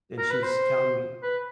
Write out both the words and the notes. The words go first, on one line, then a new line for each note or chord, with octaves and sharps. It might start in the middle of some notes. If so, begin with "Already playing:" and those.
and she was telling me
A#4
B4
C5
B4